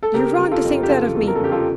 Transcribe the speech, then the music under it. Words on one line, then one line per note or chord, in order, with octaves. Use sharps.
You're wrong to think that of me...
A4
C#3 G4 A#4
C#3
F4 A4
F2
G4
C#3 F4 A4
E2
A#4
A4
C#3 G4
F4 A4